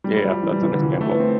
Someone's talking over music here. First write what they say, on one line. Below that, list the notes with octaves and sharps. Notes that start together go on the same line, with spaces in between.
Yeah, yeah, that's understandable.
G3
G3
F3
E3
G3
E3
D3
E3
F3
A3
B3
C4